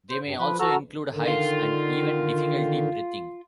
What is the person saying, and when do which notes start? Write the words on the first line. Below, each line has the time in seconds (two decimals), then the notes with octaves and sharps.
They may also include hives and even difficulty breathing.
0.10 C5
0.26 G2
0.39 F3 B4
0.60 F#4 A4 A#5 E6 F6
1.10 D3 D#3
1.28 F4